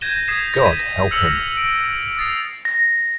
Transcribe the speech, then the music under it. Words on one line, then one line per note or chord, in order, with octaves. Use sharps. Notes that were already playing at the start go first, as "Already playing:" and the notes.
God help him!
G6 G#6 A#6 D#7 E7 G7
D#6 G#6 B6 C7 E7
G#6 A#6 B6 D#7
E6 F6 A#6 C#7 F7 F#7
D7
D#6 A6 C7
A#6